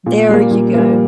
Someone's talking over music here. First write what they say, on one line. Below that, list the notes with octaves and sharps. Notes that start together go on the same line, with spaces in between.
There you go.
A#2
G3 A#3
A#2
G3 A#3